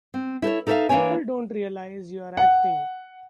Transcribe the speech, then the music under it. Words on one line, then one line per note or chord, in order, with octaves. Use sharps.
People don't realize you're acting.
C4
E4 A4 C5 C#5
D#4 A4 B4 C#5 E5 F5
E3 A#3 C#4 D4 C#5 G#5
F#5